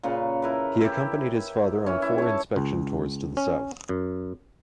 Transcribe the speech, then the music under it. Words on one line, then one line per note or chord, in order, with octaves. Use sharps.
He accompanied his father on four inspection tours to the south.
A#2 C#3 B4
E4 A#4 B4
E4 G4
E3 C#4
E4
C#5 A5
C#2
C#4
F#2